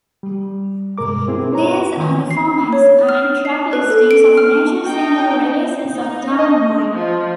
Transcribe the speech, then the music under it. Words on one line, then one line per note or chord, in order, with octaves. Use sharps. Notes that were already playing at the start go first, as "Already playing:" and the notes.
These are the formats and track listings of major single releases of "Down Boy".
G3
G2 B2 G#3 A#4 D6
B3 C4 E4 G#4
B4 C#5 A#5
D#3 E3
C7
C#5
F6
C7
B4
A4
D7
F6
D#4 G5
D#4
D#5
F3